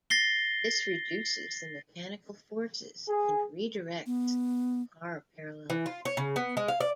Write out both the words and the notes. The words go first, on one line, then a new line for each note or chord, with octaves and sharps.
This reduces the mechanical forces and redirects the car parallel to the wall.
A6 A#6 C7 G7
G#4
B3
E3
F4
C#5
C#3
B3
G#3
F5
D5